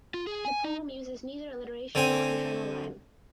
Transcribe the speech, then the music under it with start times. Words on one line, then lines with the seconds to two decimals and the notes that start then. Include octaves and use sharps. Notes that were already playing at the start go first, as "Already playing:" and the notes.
The poem uses neither alliteration nor internal rhyme.
0.14 F4
0.27 G#4
0.45 G#5
0.64 D#4
1.95 D3 C4 G#5